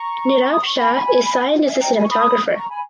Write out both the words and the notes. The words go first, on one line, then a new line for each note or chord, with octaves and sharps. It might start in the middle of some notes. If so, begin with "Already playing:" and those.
Nirav Shah is signed as the cinematographer.
Already playing: A#5 C#6
D#6
C#6
G#5 B5
E5 G#5
G5 A#5
G#5 B5
C#6
B5 D#6
A#5 C#6
G#5 B5